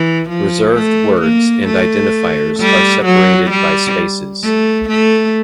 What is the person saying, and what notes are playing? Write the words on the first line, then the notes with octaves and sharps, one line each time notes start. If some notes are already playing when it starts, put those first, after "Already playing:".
Reserved words and identifiers are separated by spaces.
Already playing: E3
F3
A3
A#3
A3
G3
F#3
G3
A3
A3